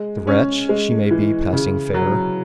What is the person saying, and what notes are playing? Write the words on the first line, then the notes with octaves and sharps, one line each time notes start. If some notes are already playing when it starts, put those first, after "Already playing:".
The wretch, she may be passing fair.
Already playing: G#3
C#4
G#3
E3
C#3
F#3